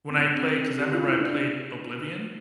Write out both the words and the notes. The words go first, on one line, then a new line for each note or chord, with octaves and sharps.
when I play 'cause I remember I played Oblivion.
C4
D4
C4
G4
F4
E4
D4